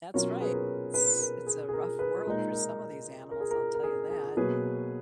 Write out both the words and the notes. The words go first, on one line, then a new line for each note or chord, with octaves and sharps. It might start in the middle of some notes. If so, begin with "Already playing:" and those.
That's right, s it's a rough world for some of these animals, I'll tell you that, and
B2 F#3 C#4 F4 A#4 C#5
G#4 B4
A#4
G#4 B4
A#4
G#4
G#4
A#4
G#4 B4
A#2 G#3 D#4 A#4
A#4
A#4
G#4
A#4
A#4
G#4
G#4
B2 F#3 A#3 G#4 B4